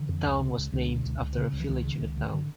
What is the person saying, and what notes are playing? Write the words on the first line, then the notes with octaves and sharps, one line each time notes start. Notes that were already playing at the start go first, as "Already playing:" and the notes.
The town was named after a village in the town.
Already playing: D3 E3
F2
C#2
C#3
C#2
C#2 D3
B2
C#2
C#2
C#3
C#2
E3
C#2 D#3
C#3
C#2
D2
D3